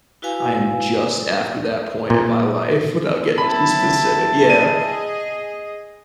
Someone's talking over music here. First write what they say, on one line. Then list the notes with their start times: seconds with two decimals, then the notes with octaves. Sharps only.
I am just after that point in my life without getting too specific yeah,
0.22 E4 F#4 B4 F5 G#5
2.10 A#2
3.38 F#3 B3 E4 A5 B5
4.50 G#4 D#5 D#7